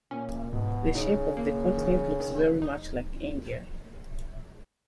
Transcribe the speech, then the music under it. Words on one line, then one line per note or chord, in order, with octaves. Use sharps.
The shape of the continent looks very much like India.
A#2 C#4
G#2 B2
C#3 D#4
C#3 A#3
D#3
D#3
D#4